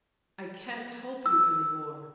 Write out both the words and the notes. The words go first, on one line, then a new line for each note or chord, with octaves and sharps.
I can't help you any more.
E6